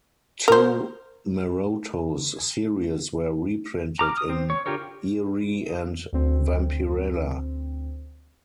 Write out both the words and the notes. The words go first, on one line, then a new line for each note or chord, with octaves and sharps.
Two Maroto's series were reprinted in "Eerie" and "Vampirella".
A#4 C5
A#5 D6 F6
D#6
C4
C#5
D3 F4 G4 A#4 C#5
D2 C4